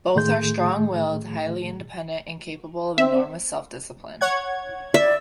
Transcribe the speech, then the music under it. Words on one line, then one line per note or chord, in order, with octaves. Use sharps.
Both are strong-willed, highly independent, and capable of enormous self-discipline.
A2 D#3 A3 G#4 C6 G6
C4 E5
C#5 F#5 G#6
D5 E5